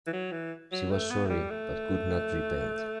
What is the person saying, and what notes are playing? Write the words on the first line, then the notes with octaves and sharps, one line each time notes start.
She was sorry, but could not repent.
E3
F#3
E3
F#3
A3
B3
A3
G3
A3